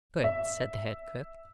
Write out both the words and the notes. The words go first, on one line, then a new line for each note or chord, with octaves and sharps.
'Good,' said the head cook.
E5